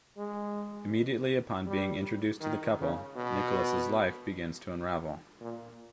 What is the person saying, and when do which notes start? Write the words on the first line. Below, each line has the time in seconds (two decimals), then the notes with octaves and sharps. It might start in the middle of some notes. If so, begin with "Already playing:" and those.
Immediately upon being introduced to the couple, Nicholas' life begins to unravel.
0.17 G#3
1.67 G3
2.41 D#3
2.79 C#3
3.16 B2
5.40 A#2